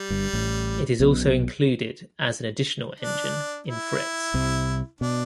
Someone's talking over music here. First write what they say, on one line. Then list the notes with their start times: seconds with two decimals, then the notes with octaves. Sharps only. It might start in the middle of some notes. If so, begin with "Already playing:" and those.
It is also included as an additional engine in Fritz.
Already playing: G3
0.10 G1 G2
0.33 A1 A2
1.00 B1 B2
3.00 D4
3.67 E4
4.34 C2 C3
5.01 B2 D4